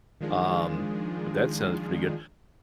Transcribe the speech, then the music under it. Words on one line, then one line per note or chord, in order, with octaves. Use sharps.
um, but that sounds pretty good.
D#3 F3 G#3 D4 F4 G#4